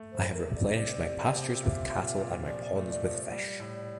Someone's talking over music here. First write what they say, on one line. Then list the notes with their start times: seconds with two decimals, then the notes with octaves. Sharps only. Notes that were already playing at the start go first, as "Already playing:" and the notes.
I have replenished my pastures with cattle and my ponds with fish.
Already playing: A3
0.12 C5
0.19 A3
0.33 A#4
0.48 C3
0.55 D5
0.76 C3 D5
1.05 C3
1.33 C3
1.61 A#2 E5
1.90 A#2
2.19 A#2
2.46 F3 D5
2.75 A3
2.89 D5
3.04 F3
3.31 G3 D5
3.60 A2
3.75 D5